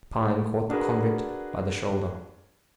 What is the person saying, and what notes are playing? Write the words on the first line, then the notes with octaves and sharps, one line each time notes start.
Pine caught the convict by the shoulder.
D4 F#4 G#4 A#4 B4